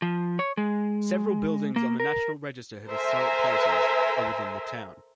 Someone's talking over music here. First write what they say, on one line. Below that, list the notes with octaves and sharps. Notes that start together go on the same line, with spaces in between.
Several buildings on the National Register of Historic Places are within the town.
F3
C#5
G#3
A#3
A#4
A4 A#4 C5 E5 G#5 A#5